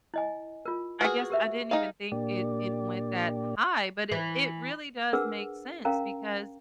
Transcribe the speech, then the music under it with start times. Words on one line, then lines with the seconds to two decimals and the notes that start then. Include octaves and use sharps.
I guess I didn't even think it it went that high but it it really does make sense because,
0.14 E4 D#5 G#5
0.66 F4 A#4
1.01 F#4 G#4 A#4 B4
1.30 G4 A#4 E5
1.71 D#4 G#4 F5
2.12 A#2 A#3 D4 G4 D5
4.12 E3
5.13 D4 G#4 A#4 B4 F#5 E6
5.85 C#4 A#4 F5 G5 A#5